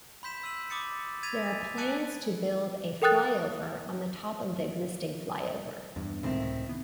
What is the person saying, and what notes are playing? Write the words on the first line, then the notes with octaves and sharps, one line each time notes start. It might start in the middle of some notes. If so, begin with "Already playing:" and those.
There are plans to build a flyover on top of the existing flyover.
B5 C6 G6 B6 E7
E6 G6 D#7 F#7
B5 D6 D#6 A6 C#7
G#6 A6 B6 D#7 F7
G#5
G#5 A5 F#6 C#7 D#7 F#7
A4 A#4 G5 D#6 F#6 A6
E2 G2
C#2 A2 C3 D#3 C4 E4
B3